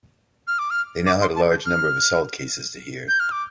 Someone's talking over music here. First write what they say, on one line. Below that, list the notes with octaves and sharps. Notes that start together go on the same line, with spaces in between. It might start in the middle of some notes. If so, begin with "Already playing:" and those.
They now had a large number of assault cases to hear.
F6
D6
F6
D6
C6
A5
G6
F6
G6
F6
D6